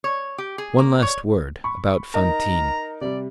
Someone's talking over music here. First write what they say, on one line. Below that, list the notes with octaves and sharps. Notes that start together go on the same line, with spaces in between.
One last word about Fantine.
C#5
G4
G#4
A#3
C#5
B5 C#6
D#4 A#4 A#5
C3 G3 D5